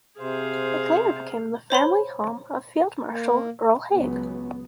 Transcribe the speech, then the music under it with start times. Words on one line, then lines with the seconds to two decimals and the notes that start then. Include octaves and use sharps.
It later became the family home of Field Marshal Earl Haig.
0.19 C3 G#4 C5 F5
1.70 C5 C#5 B5 C6
3.10 A#3
3.93 C#2 F#3 B3